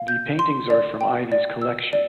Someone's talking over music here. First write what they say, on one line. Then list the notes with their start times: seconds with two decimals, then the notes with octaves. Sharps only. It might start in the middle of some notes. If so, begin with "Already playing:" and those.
The paintings are from Iveagh's collection.
Already playing: F5
0.08 G6
0.39 C6
0.70 D5
1.01 G5
1.32 D5
1.62 E6
1.93 D5